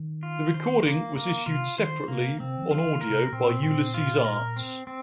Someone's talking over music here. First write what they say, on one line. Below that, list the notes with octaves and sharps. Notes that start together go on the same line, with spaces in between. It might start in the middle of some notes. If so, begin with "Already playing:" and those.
The recording was issued separately on audio by Ulysses Arts.
Already playing: D#3
F4
C5
A#3
A#3
C3 F4
D#3 C5
C3 A#3
C3 C4
D#3
F3
F4
D#3
A#4
C3
A#2 C4
C4
F4
A#4
C4
C4